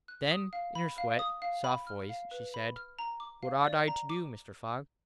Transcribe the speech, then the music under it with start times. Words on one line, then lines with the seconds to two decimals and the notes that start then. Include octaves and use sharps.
Then, in her sweet, soft voice, she said: "What ought I to do, Mr. Fogg?"
0.08 F#6
0.30 D#6
0.53 F5
0.75 B5
0.98 F5
1.19 D#6
1.42 F5
1.64 B5
1.87 F6
2.09 F5
2.31 B4
2.54 B5
2.76 F6
2.99 A#5
3.20 D6
3.43 F5
3.64 D5
3.88 A#5
4.10 D6